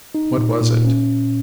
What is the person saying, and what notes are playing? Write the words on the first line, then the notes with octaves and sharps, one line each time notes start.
What was it?
D#4
A#2
A#2
C#4